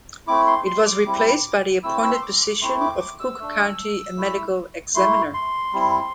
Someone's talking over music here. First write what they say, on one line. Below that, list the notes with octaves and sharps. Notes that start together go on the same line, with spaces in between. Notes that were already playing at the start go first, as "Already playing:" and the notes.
It was replaced by the appointed position of Cook County Medical Examiner.
A3 C4 E4 D6
C6
C6
D6
G3 C4 E4
A3 C4 E4 E6
E6
C6
D6
D6
A3 C4 E4 C6
D6
D6
E6
A3 D4
A3 E4
A3 E4 C6
C6
G3 C4 E4